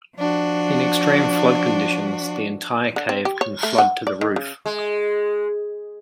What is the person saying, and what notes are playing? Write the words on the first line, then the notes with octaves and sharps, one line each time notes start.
In extreme flood conditions the entire cave can flood to the roof.
F3 D4 F#4
D3
C4
G4
C#5
A3
F#5
D5
D#3
C#3
G#3